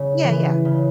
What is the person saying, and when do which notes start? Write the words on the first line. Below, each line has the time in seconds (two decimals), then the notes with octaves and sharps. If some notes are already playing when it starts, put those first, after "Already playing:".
Yeah, yeah.
Already playing: C#3
0.24 E3
0.65 C#3